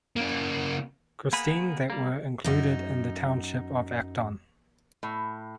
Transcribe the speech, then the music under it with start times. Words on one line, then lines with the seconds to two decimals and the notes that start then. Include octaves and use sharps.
Christine that were included in the township of Acton.
0.16 C#3 A#3
1.33 A#3 B3 G#4 B5
1.90 G3 A#3
2.44 F#2 D#4
5.03 A2